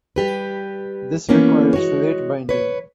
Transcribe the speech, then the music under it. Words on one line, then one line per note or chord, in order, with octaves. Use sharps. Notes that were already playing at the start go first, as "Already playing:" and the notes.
This requires late binding.
G3 G4 B4
E3 A#3 B3 C#4
G#3 F#4 C#5
B4 C#5